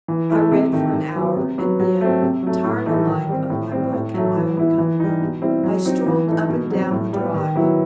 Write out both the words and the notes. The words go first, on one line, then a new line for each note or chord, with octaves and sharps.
I read for an hour, and then, tired alike of my book and my own company, I strolled up and down the drive.
E3
A3 E4
C3
D#3 A3 D#4
D#3
F#3 B3
C3
F#3 B3
F#3
A3 C4
C3
F#3 A3
A2
E3 A3 D#4
D#3
G3 C4
A2
G3 C4
A2
F#3 A3
E3
B3 E4
E3
G3 D#4
B2
G3 C4 E4
F#3
C4 D#4
E3
A3 D#4
B2
F#3 C4
A2
G3 B3
D#3
F#3 B3 E4